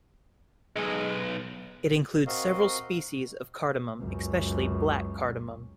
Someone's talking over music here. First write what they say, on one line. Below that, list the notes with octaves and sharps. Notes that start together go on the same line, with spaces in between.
It includes several species of cardamom, especially black cardamom.
B1 G#3
C4 F#4 A#4 D#5 F5
C#2 F#2